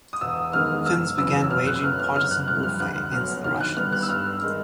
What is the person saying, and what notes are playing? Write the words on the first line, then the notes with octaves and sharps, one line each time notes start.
Finns began waging partisan warfare against the Russians.
D#6
E1 E6
D#2 D#3 G#3 B3 F6
F#1 E6
E2 C#3 F#3 E6
E6
F#2 F6
F#6
D3 F#3 B3 F6
F6
F#1 F6
F#6
F2 D3 G3 F#6
F6
D2 F#6
D3 F#3 B3 F6
D#2 F6
F#6
D3 G3 B3 F6
F#6
E6
G2 F6
D#3 G#3